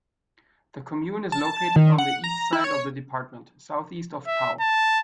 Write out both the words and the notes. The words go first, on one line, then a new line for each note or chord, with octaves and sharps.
The commune is located on the east side of the department, southeast of Pau.
A5
D#3
F#5
A#5
E4
C#5
E5
A5